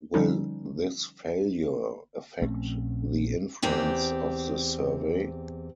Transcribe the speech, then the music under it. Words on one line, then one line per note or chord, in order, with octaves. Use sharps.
Will this failure affect the influence of the survey?
D3 F3 G3 C#4 D#4
A#1 A3 C4 C#4
E2 C4 G4